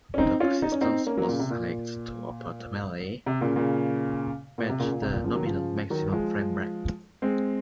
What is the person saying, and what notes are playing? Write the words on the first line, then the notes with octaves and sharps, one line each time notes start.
The persistence was selected to optimally match the nominal maximum frame rate.
C#4
C4 D#4
C#4 F4
D#4
C#4
C4 D#4
A#3 C#4
F#3 A#3
A#2 C#3
C3
A#2
C3
A#2 C#3
A#2 C#3
A#2
C3
A#2 C#3
A#2
C3
A#2
C#3 F3
D#3 F#3
C#3 F3
D#3 F#3
F3 G#3
G#3 C4